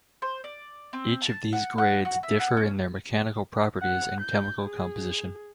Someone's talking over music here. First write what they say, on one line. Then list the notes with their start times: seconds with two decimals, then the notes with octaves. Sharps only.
Each of these grades differ in their mechanical properties and chemical composition.
0.22 C5
0.44 D5
0.93 C4
1.22 A5
1.53 F#5
1.78 F#5
2.05 F#4
2.23 E5
2.39 F#5
2.57 C#4
3.82 F#5
4.21 G6
4.66 G#4